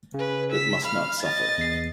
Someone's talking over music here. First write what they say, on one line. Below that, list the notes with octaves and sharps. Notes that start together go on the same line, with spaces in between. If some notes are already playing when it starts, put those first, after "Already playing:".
It must not suffer.
C#3 C#4 B4
E6 B6
F5 B5 F6
D#5 A6
E2 C7